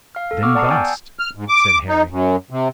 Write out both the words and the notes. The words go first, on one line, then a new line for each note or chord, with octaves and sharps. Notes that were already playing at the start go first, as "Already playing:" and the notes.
"Then bust," said Harry.
F5 F6
A4
B3 C#6 D6 E6 F6
D5 F#5 A5 A#5 D#6 C7
G5 G#5 E6 G6 A6
F6
G#2
D6
D#4
F#2
C3